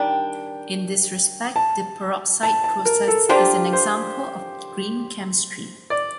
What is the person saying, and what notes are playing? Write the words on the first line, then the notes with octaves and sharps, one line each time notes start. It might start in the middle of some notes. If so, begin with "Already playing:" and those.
In this respect, the Peroxide process is an example of Green Chemistry.
Already playing: D#3 G3 D4 G5
A5
A5
A5
A#4
A4
F3 A#3 D4 F4 G4
C5
D5